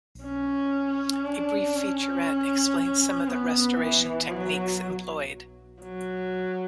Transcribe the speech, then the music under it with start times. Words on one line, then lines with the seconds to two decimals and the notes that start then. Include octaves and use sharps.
A brief featurette explains some of the restoration techniques employed.
0.23 C#4
1.25 D4
1.75 C#4
3.28 B3
3.79 E3
4.30 F#3
5.83 F#3